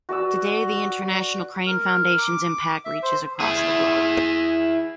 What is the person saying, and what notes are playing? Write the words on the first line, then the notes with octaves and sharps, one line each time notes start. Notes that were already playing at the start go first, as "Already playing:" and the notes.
Today, the International Crane Foundation's impact reaches across the globe.
F#4 B4 D5 E6
A#4
D6
E5
C5
E4 G#4